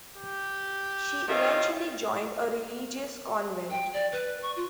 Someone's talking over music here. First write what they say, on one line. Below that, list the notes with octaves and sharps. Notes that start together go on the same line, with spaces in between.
She eventually joined a religious convent.
G4
D#3 C#4 F4 D#5 E5
G5
D5
B4
C#6
F4